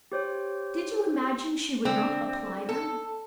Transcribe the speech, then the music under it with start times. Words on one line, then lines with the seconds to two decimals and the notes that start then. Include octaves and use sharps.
Did you imagine she would not apply them?
0.12 G4 C5 C#5
1.85 D3 C4
2.69 A4